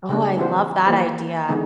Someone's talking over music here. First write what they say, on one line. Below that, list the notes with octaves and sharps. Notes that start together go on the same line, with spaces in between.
Oh, I love that idea.
C#3 G3 G#3 A#3 D4
E3 G3 C4 F4 F#4 C5
E3 A#3 F4 G4 C5
D3 E3 G#3 B3 D#4